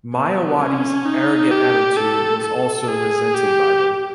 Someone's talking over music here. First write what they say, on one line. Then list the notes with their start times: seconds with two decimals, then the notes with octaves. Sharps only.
Mayawati's arrogant attitude was also resented by them.
0.15 B3
0.61 C#4
1.05 D#4
1.51 G4
1.97 A4
2.43 A4
2.88 G#4
3.34 G4